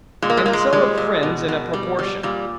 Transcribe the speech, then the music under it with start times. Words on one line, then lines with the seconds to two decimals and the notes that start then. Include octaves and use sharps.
And so of friends in a proportion.
0.22 A#2 G#3
0.30 A#3
0.37 G#3
0.46 A#2 A#3
0.53 G#3
0.73 G3 G#3
0.97 A#2
1.23 B2
1.48 B2
1.73 G3
1.99 G3
2.23 A#2 G3